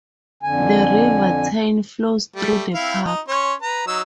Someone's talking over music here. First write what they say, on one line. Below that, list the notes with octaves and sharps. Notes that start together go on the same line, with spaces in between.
The River Tyne flows through the park.
F2 D3 G#5
G3 A3
C4 E4 F5
D#4
C#4 C#5 C6
B4 A#5
F#3 D#4 E6